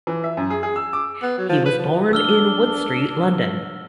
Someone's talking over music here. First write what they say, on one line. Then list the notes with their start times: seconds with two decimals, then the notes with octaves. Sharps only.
He was born in Wood Street, London.
0.07 E3
0.24 E5
0.37 F#2
0.50 G#4
0.63 G#4
0.76 E6
0.93 D6
1.22 B3
1.38 F#3
1.49 F3
1.66 B4
1.79 F3
2.13 D4 E6 F6 G7